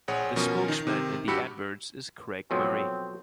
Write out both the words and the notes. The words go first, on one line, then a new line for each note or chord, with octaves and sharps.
The spokesman in the adverts is Craig Murray.
A#1 G#4 C#5 F#5
B2 F3 C#4 A#4
D#3 D#4
C3 D#3
G2 F#4 G4 B5 E6 C#7
B2 F3 F#3 C4 F#4 A4 C#5